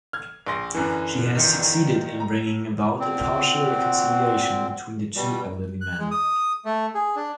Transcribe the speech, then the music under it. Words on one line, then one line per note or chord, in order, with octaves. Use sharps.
She has succeeded in bringing about a partial reconciliation between the two elderly men.
F6 G#6
A#1 C6 A#6
F#2 D3 E3
E2 D#3 F4
A#5
A#2 C4 F#4
B2 G3
F#6
G#3
D#6
A3
G#4
D4